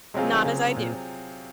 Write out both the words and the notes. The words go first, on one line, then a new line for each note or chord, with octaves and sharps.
Not as I do.
C3 F#3 G#3 C4 F4 G#4
D#3
C#3
A#2